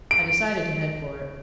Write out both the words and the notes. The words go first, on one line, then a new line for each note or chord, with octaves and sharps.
I decided to head for it.
D7